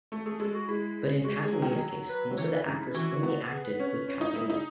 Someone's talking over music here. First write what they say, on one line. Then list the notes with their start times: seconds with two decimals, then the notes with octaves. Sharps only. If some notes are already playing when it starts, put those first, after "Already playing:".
But in Pasolini's case, most of the actors "only acted with Pasolini".
0.12 A3
0.25 A3 G#4
0.40 G#3 A4
0.54 F#4
0.67 G#3 E4
1.24 G#3 F#4
1.39 G#3 G#4
1.53 F#3
1.62 D#3
1.71 F#3
2.09 B4
2.31 F#3
2.37 E3 C#5
2.52 B4
2.65 C#3 D#4
2.80 E4
2.94 E3 F#4
3.23 B3
3.51 G#4
3.64 B4
3.80 C#4
4.08 C#4
4.21 D#4
4.35 E4
4.50 D#4 G#4